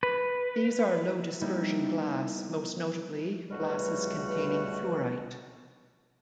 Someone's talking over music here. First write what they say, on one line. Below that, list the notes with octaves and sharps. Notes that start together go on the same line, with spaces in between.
These are low dispersion glass, most notably, glasses containing fluorite.
B4
G3 A#3 B3 D#4 E4
C#2 G2 B2 G3 A3 F#4